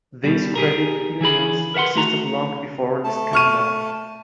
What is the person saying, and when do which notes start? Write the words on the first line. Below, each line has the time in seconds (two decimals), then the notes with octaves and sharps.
These credit unions existed long before the scandal.
0.24 B2 G3
0.56 G4 G#4 A#4
1.21 E3 E4 G#4 B5
1.74 A#4 B4 E5 F#5 C6
1.95 A3 F#4 A#5
3.04 A3 A5
3.33 C#6 F6 D#7